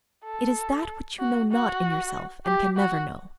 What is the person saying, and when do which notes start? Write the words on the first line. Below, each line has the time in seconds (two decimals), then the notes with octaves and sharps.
It is that which you know not in yourself and can never know.
0.24 A4
1.19 F#4
1.51 F#4
2.45 G4
2.77 F#4